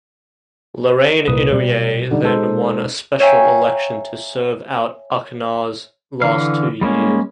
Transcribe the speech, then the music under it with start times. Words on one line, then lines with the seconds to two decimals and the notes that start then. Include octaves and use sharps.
Lorraine Inouye then won a special election to serve out Akana's last two years.
1.27 C2 A#2 A#4 B4 D#6
1.52 B2 G3
2.11 D3 G3 C#4 D#4
2.23 G#3 A4 C5
3.20 C#5 E5 F5 G5 G#5 A#5
6.22 D3 E3 F5
6.81 G3 G#3 A#3 C#4